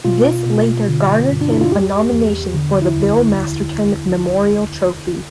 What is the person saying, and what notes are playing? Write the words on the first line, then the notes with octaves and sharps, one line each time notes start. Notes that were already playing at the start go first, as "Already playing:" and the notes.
This later garnered him a nomination for the Bill Masterton Memorial Trophy.
B2 F4
B2
D3
G2
D4
E4
F4
E2 G4
E2
D3
E4
D2